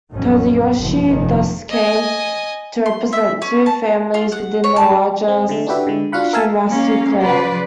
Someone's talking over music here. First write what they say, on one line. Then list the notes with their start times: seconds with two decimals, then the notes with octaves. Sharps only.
Tadayoshi thus came to represent two families within the larger Shimazu clan.
0.11 A1 F2 A2 D#3 F#3 C#4
0.77 F#1 G2 B2 F3
1.06 F1 C3 D#3 F3
1.70 D#5 G#5
2.86 C6
3.13 E5
3.42 C#4
3.66 A5
4.14 F4
4.32 F#5
4.64 C#5
4.76 A5
5.28 C4
5.49 D3 A3
5.67 D4 E4 F#4 G4 B4 E5
5.87 D3 G#3
6.12 D4 F4 F#4 F5 F#5 B5
6.33 A#4 E5 F5 G#5 A5
6.69 A#3 C#4 F5
7.20 C#3 B4 C5 D5